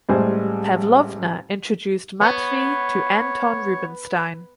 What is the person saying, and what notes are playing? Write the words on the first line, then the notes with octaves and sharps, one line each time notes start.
Pavlovna introduced Matvei to Anton Rubinstein.
A1 G3 G#3 C5 G#5
B3 C#5